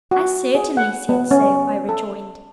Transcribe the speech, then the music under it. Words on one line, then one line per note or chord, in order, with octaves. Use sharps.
"I certainly said so," I rejoined.
F#4
G#4
F#5
B3
C#4
A4